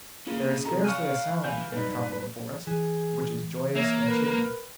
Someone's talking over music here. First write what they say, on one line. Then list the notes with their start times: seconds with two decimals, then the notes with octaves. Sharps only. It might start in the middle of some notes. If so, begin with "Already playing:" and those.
There is scarcely a sound in a tropical forest which is joyous and cheering.
0.27 A#3 C#4 F4 G#4
0.65 C3 D#3 A4 A#5
0.84 F5 G#5 C#6 F6 F#6
1.44 E3 F5 G#5 G6
1.72 G2 B3 D#4 B4
2.67 E3 G#4
3.75 A#3 C#5 E5
4.07 A#4 B4